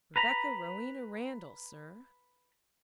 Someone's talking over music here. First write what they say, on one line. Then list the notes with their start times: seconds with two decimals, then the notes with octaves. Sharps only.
"Rebecca Rowena Randall, sir."
0.16 B4 A#5 B5